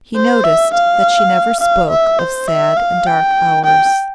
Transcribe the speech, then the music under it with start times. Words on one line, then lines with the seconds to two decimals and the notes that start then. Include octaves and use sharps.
He noticed that she never spoke of sad and dark hours.
0.16 C5
0.44 E5
0.73 F5
1.60 F5
1.90 E5
2.19 C5
2.48 E5
2.77 F5
3.06 G5
3.65 G5